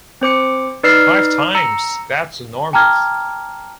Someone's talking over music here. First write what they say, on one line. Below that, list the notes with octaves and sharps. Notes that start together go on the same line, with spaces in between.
Five times? That’s enormous!
C4 C5 D6 C#7
D#4 B4 D5 E6 F6 C7
A#5 E6 C#7
G5 A5 A#5 D6 F6 G#6